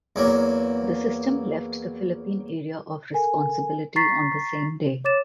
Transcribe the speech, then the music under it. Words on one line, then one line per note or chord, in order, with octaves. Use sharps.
The system left the Philippine Area of Responsibility on the same day.
E2 F#3 A#3
A4 A#4 G#5
A#5 C#6 A6 B6 C7
C#5 D6 A6 E7